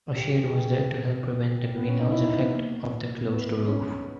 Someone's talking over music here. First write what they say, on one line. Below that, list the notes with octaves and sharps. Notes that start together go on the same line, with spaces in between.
A shade was there to help prevent the greenhouse effect of the closed roof.
G4
G4
G#4
G4
A#3
B3
C#4
D#4
E4
D#4
B3
A#3
B3
C#4